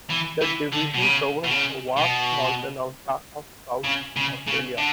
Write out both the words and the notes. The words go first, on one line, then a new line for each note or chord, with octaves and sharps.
The division covers the vast northern outback of South Australia.
E3
E3
D3
B2
C#3
B2
C#3
B2
C#3
C#3
C#3
D3